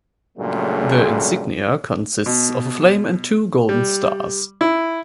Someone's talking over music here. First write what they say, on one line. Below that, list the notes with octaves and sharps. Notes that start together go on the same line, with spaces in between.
The insignia consists of a flame and two golden stars.
G2 A#2 C#3 F#3 G#3 A3
B2
G3
E4